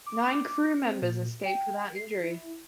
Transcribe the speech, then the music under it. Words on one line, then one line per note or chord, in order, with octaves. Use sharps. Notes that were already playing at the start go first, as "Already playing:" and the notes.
Nine crew members escaped without injury.
D6
C4
A#2
G5
C7
E4